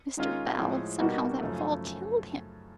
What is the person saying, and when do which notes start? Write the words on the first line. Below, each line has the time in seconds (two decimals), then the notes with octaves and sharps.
Mr. Bell, somehow that fall killed him!'
0.17 D#3 G#3 C#4 F4
0.58 A2 F3 G#3
0.99 B2 G3 A#3 D#4 F#4
1.41 F#2 C#3 F3 A3